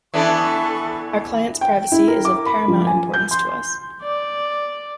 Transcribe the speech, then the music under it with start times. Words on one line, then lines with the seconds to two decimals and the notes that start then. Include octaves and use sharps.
Our client's privacy is of paramount importance to us.
0.14 E3 B3 D4 A4 C#6
1.61 G5
1.92 E4
2.08 A#4
2.25 D6
2.46 B5
2.68 F3
2.87 G#5
3.14 G6
3.31 C6
4.02 D5